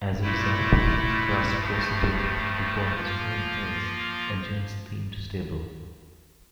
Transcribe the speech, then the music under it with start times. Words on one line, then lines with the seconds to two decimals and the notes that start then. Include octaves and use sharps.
As a result, Crush proceeded to form his own Hells Angels-themed stable.
0.21 A#2 A3 E4
1.57 G2 F3 A3
2.94 F3 A#3 F4